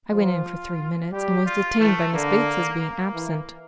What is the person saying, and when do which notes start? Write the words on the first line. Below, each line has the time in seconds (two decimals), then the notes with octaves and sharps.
I went in for three minutes, and was detained by Miss Bates's being absent.
0.12 F3 F4
1.12 G3 G4
1.46 F4
1.79 E3 A3
2.13 D3 A#3
2.80 A#3
3.14 E3